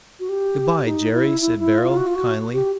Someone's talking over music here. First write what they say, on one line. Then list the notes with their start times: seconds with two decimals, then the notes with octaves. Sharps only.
"Good-bye, Jerry," said Beryl, kindly.
0.20 F#4
0.29 G4
0.85 D#4
1.12 E4
1.41 E4
1.59 E4
1.78 F4
1.97 F#4
2.07 F4
2.16 F#4
2.53 G4